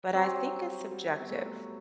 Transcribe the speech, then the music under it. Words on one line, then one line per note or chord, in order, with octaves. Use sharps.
but I think it's subjective,
F#3 G3 C4 F#4
G3
B3
A3